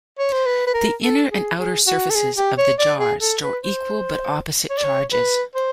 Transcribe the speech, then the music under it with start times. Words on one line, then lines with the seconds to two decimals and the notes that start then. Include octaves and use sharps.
The inner and outer surfaces of the jar store equal but opposite charges.
0.19 C#5
0.33 C5
0.46 B4
0.67 B4
0.74 A#4
1.03 A4
1.31 G#4
1.59 G#4
1.87 F#4
2.10 A4
2.15 G#4
2.37 G4
2.58 C#5
2.79 D5
3.00 G#4
3.21 A4
3.43 B4
3.64 C5
4.70 C#5
4.78 D5
4.84 C#5
5.12 B4
5.55 C5